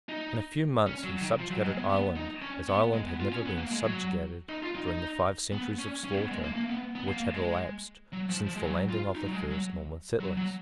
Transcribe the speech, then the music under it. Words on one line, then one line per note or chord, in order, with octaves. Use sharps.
In a few months he subjugated Ireland, as Ireland had never been subjugated during the five centuries of slaughter which had elapsed since the landing of the first Norman settlers.
D#4
C#4
F#3
D#3
F3
F#3
G#3
B3
B3
D#4
C#4
B3
G#3
B3
F4
C#4
B3
A#3
G#3
F#3
D#4
F4
D#4
D#4
B3
C#4
C#4
B3
G#3
A#3
A#3
B3
B3
A#3
G#3
F#3
F3
F3
G#3
F#3
F4
D#4
F#3
G#3
F#3
F#3
F#3